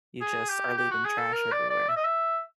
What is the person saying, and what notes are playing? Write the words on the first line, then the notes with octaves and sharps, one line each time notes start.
you just are leaving trash everywhere.
G#4
G4
G4
F#4
G#4
A4
A#4
D5
D5
E5
D#5
E5